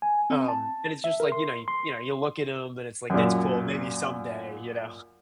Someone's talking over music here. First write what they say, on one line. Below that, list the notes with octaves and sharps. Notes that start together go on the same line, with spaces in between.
um, and it's just like, you know you know, you look at 'em, and it's like, "That's cool, maybe someday," you know.
G#5
C4
A5
E5
A#4
C6
C6
F#2 A#2